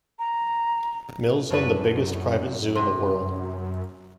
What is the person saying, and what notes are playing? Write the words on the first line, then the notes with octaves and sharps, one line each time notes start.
Mills owned the biggest private zoo in the world.
A#5
F#2 A2 D4 B4
C3